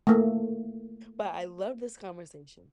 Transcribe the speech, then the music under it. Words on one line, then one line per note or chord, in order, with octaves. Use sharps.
but I love this conversation.
A3 A#3